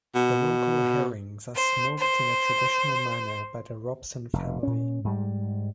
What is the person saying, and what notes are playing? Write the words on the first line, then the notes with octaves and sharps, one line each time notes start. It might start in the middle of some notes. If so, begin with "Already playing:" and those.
The local herrings are smoked in a traditional manner by the Robson family.
B2
C5
C5
F1
A#2 C#4
G#2 G3